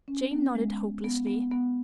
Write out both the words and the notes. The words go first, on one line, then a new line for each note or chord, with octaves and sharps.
Jane nodded hopelessly.
C#4
B3
G#3
B3
B3
B3